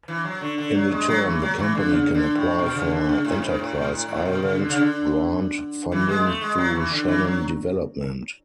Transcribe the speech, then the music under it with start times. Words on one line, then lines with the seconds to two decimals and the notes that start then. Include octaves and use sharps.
In return the company can apply for Enterprise Ireland grant funding through Shannon Development.
0.08 E3
0.25 F#3
0.41 D3
0.58 D3
0.75 F#3
0.92 G#3
1.08 F#3
1.25 E3
1.42 F#3
1.59 E3
1.75 D3
1.91 C#3
2.15 D3
2.36 A2
2.59 B2
2.75 C#3
2.91 D3
3.09 C#3
3.25 A2
3.42 G#2
3.59 A2
3.75 B2
3.92 A2
4.09 A2
4.25 B2
4.42 C#3
4.59 D3
4.69 C#3
4.80 D3
5.92 E3
6.09 G#3
6.25 A3
6.42 G#3
6.58 F#3
6.75 E3
6.91 D3
7.08 E3
7.25 F#3